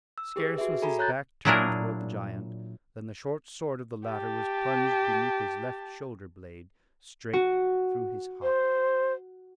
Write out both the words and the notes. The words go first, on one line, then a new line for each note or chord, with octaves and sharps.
Scarce was his back turned toward the giant than the short-sword of the latter was plunged beneath his left shoulder blade, straight through his heart.
E6
G4 G#4 B4
F#4 G#4 E5
F#4 A4 G#5 A#5 B5
C#5 A#5 F#6 G6 A6
A#2 F#3 D4 E4 G#4 A#4
G4 A5
F#4
C5